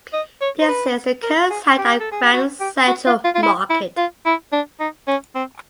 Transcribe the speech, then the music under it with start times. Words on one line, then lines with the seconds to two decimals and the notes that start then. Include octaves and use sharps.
This is the current site of Grand Central Market.
0.13 D#5
0.41 C#5
0.61 C5
0.68 B4
1.23 A#4
1.50 G#4
1.78 G4
2.00 A4
2.12 G#4
2.22 G4
2.33 F#4
2.60 G4
2.87 F#4
3.06 F4
3.24 F4
3.34 F4
3.43 E4
3.70 E4
3.97 F4
4.26 E4
4.52 D4
4.80 D#4
5.07 C#4
5.35 C4